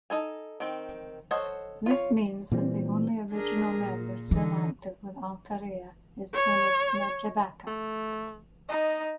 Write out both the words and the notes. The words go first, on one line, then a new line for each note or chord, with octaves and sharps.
This means that the only original member still active with Altaria is Tony Smedjebacka.
D#4 A4 G#5
D#3 C4
A4 C5 C#5 D#5 F#5
F4 C#5
A#2 E3 G3 C4
D4 G#4 A#4
A#2
D3 E3 D#4
C#5
A3
D#4 D#5